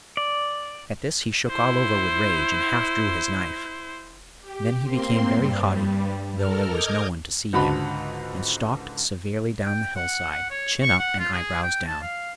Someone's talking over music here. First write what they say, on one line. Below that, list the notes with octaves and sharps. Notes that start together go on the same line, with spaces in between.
At this he shook all over with rage, and half drew his knife. Then he became very haughty, though there was no one to see him, and stalked severely down the hillside, chin up and eyebrows down.
D5
E4 C5
G4
A#3 C4 C6
G2 G3
A4 A#4 F6
D#5 D6 D#6 F6 G6 G#6
C#2 G#2 D3 F#4 A5 B5
G5
F#5
F#5
C#5
C#6
F#5
F4
G#4
G5
A5
F5